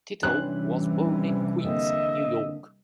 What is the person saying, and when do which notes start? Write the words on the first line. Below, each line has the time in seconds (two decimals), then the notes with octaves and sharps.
Tito was born in Queens, New York.
0.23 C3 E3 G3 C#4 D4 C5 F#6
1.64 D3 A#3 C4 D#5 E5